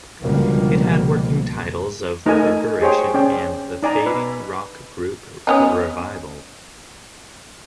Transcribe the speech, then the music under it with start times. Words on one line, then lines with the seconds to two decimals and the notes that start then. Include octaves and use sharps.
It had working titles of "Reverberation" and "The Fading Rock Group Revival".
0.22 C#2 B2 D3 F3 G3 A#3
2.26 A3 D#4 A4 A#4 D#5 G#5
2.81 G4 G#4 C5 C#5 G5
3.14 C#4 D5 G5
3.83 D#4 D5 G#5 A#5
4.06 B4
5.47 B3 C#4 D#4